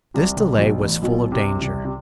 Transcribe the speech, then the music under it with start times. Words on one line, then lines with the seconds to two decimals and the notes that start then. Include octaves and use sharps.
This delay was full of danger.
0.14 C2 C3
0.36 C2 C3
0.58 B1 B2
0.80 A1 A2
1.02 B1 B2
1.32 C2 C3
1.61 C2 C3
1.85 C3